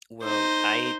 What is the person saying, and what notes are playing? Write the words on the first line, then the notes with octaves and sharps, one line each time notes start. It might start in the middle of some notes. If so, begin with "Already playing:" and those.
Well, I
D#4 C5